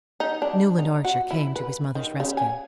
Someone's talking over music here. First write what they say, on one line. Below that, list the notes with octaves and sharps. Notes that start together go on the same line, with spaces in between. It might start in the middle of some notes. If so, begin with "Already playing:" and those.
Newland Archer came to his mother's rescue.
D#4
D4
D#4
F#4
E4
B4
D#3
C#3
G#5